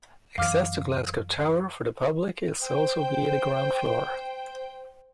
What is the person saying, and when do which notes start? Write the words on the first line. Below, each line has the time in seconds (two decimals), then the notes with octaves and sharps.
Access to Glasgow Tower for the public is also via the Ground Floor.
0.38 F#2 E3 F5 D6 F6
2.63 C5 G5